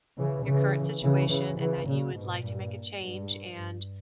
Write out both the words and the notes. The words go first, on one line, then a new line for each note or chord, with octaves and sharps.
your current situation, and that you would like to make a change, and,
C#3 E3
C#3 E3
C#3 E3
C#3 E3
C#3 E3
A#2 C#3
G#2 B2
G2 A#2
G2